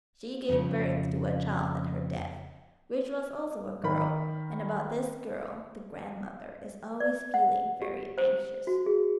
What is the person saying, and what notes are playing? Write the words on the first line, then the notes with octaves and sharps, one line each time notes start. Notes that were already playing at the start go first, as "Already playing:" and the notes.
"She gave birth to a child at her death, which was also a girl, and about this girl the grandmother is always feeling very anxious."
F2 C#3
D#3 A#4 B5
D5
F#5
G4
C5
F#4
G#4